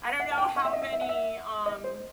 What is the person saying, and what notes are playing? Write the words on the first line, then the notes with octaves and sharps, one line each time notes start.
I don't know how many, um
F#5
A5
G5
F#5
E5
D#5
E5
E5
F#5
E5
D#5
C5